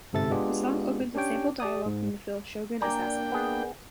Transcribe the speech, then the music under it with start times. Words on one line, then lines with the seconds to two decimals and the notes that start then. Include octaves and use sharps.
The song opens with sampled dialogue from the film "Shogun Assassin".
0.13 G1 G#2 C3 A4 E5 A6
0.31 G#3 B3 D4 F4 G4 G#4
1.15 C#4 D4 G4 C#5 G5
1.60 G4 D5 D#6
1.86 G#2
2.82 A#3 D4 D5 G5 G#5 A#5
3.32 B3 G#4